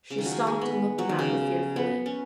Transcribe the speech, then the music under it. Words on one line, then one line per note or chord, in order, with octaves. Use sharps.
She stopped and looked around her fearfully.
C#3
D#3
F#3
G#3
G#3
B3
F#3
D#3
C#3
B3
C#4